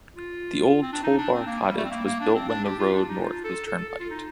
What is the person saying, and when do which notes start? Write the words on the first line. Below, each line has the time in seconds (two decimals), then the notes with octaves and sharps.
The old Toll Bar Cottage was built when the road north was turnpiked.
0.16 F4
0.82 C4
0.93 D4
1.03 D#4
1.18 D4
1.33 C4
1.47 A#3
1.61 G3
1.77 A3
1.84 C4
1.91 A#3
2.05 A#3
2.20 D4
2.35 C4
2.49 D4
2.64 G4
2.79 F4
2.94 D4
3.08 D#4
3.22 F4
3.44 A4
3.67 A4
3.78 A4
3.89 A4
4.00 F4
4.10 D#4